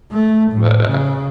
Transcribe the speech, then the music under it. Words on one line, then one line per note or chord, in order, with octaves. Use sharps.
but, uh
A3
A2
C#3